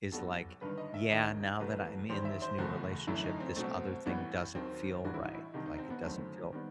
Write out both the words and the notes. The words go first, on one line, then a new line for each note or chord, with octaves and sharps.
is like, "Yeah, now that I'm in this new relationship, this other thing doesn't feel right, like, it doesn't feel"
B1 B2 G3 B3 A4
G1 G2 D#3 B4
D#5
E5
E1 D#2 D#3 D#5
C2 C3 E3 A3 B4
E1 E2 D#3 G3 C5
E5
C5
F#1 E2 B2 A3 F#4
G1 F#2 E3 A3 E4
D#4
C4
C2 B2 F#3 A3 C4
A1 A2 E3 G3 B3
D#2 D#3 F#3 C4
A1 A2 E3 G3 F#4
E4
D#4
E4
C2 C3 D#3 D#4
D#4
C4
B3
G1 F#2 D#3 F#3 A3 C4
D#3 G3 B3